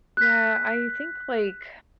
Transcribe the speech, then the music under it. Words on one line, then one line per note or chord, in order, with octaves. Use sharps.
Yeah, I think like
F#6 B6